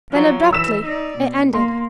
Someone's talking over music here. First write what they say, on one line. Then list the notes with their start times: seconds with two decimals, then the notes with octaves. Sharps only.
Then abruptly it ended.
0.10 F3 F#3
0.53 E3 E6 B6 E7
0.85 D#4 D5
1.18 B2
1.54 A#3 C6